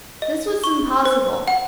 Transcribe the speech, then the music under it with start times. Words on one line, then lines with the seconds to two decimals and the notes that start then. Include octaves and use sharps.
This was impossible.
0.22 D#5
0.64 C#6
1.05 C5
1.48 F#5